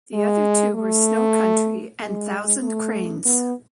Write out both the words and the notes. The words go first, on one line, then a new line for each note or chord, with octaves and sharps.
The other two were "Snow Country" and "Thousand Cranes".
G#3
A3
G#3
A3
B3